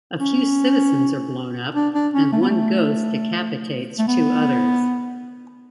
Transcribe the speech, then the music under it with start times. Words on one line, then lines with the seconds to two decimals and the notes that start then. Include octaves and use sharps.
A few citizens are blown up and one ghost decapitates two others.
0.19 C#4
1.75 D4
1.94 D4
2.14 C#4
2.32 A3
2.41 B3
2.50 A3
3.98 A3
4.08 B3